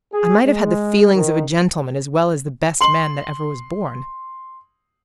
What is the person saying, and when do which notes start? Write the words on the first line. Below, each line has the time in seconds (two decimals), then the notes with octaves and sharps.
I might have had the feelings of a gentleman as well as the best man that ever was born.
0.14 G#4
0.46 G#3
1.15 D#3
2.81 C6 F#7